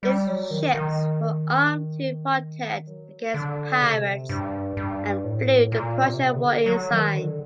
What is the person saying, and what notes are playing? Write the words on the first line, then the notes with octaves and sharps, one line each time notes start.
Its ships were armed to protect against pirates and flew the Prussian war ensign.
G3
F#3
D#3
D#3
F#3
D3
C3
G2
G2
A2
A#2
C3
D3
F#3
D#3
D3